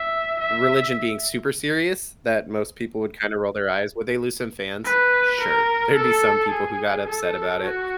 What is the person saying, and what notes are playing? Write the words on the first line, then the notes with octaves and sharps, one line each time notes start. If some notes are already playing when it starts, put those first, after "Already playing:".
religion being super serious that most people would kinda roll their eyes. Would they lose some fans? Sure. There'd be some people who got upset about it,
Already playing: E5
E5
B4
A#4
A4
G#4
A4
F#4